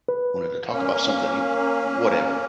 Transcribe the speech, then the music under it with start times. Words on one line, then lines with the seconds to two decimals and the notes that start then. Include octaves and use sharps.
wanted to talk about something, you whatever.
0.08 B4
0.72 A#3 C#4